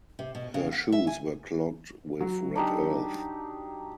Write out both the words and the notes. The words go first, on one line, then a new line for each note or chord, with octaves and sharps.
Her shoes were clogged with red earth.
C3
B2
C#3
F#5
E5
G#5
F#3
D4 D#4 G4